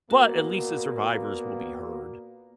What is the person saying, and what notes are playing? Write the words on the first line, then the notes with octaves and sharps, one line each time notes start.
but at least the survivors will be heard.
A#2 A#3 B3 F#4 A#4